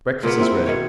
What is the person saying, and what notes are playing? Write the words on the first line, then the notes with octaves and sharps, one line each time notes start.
Breakfast is ready.
A#2 C#3 A#3 B3
A#3 C4 E4
B2 D#3 C#5